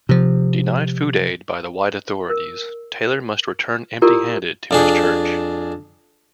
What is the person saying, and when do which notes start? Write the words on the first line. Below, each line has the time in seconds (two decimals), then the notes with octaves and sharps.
Denied food aid by the white authorities, Taylor must return empty-handed to his church.
0.09 C3 F3
2.29 A#4
4.02 E4 F4 G4 A4 A#4 D5
4.71 F2 D4 G#4